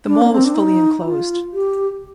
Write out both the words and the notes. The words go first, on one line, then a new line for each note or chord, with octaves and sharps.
The mall was fully enclosed.
D4
A#3
C4
D4
D#4
F4
G4